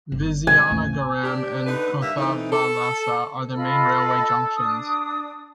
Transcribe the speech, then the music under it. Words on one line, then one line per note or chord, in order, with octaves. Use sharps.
Vizianagaram and Kothavalasa are the main railway junctions.
G1
C3 G#3 G#5
A1 D#2 A3
D4 G4
D3 D#4 B4
G2 A#3 E5
E3 A3 C4 D#4
A4
F4 A4 D#5 B5
D4 D#6